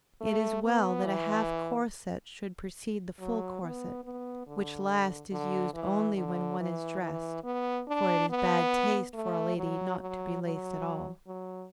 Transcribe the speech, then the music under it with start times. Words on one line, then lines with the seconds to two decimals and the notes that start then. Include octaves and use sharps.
It is well that a half corset should precede the full corset, which last is used only when one is dressed; for it is bad taste for a lady not to be laced at all.
0.21 A3
0.64 B3
1.05 E3
3.19 F#3
3.62 B3
4.04 B3
4.47 D3
5.32 D3
5.74 E3
6.17 D3
6.60 E3
7.02 E3
7.44 B3
7.87 D4
8.30 B3
9.14 A3
9.57 F#3
9.99 F#3
10.43 F#3
11.27 F#3